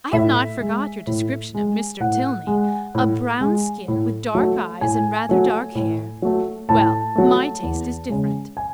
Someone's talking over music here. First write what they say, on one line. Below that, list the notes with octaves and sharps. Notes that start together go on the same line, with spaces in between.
I have not forgot your description of Mr. Tilney: 'a brown skin, with dark eyes, and rather dark hair.' Well, my taste is different.
A2 E5
G#3
A2
G#3
A2 F#5
G#3
A2
G#3
A2
F#3 A3
A2 G#5
F#3 A3
A2
F#3 A3
A2 A5
F#3 A3
E2
C#3 G#3
G#5